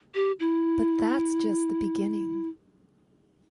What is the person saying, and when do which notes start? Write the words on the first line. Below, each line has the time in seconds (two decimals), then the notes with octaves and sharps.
But that’s just the beginning.
0.15 G4
0.40 E4